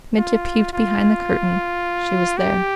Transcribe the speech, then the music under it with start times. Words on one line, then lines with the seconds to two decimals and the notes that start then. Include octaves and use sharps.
Mitya peeped behind the curtain--she was there.
0.17 F4
0.73 F4
2.37 G4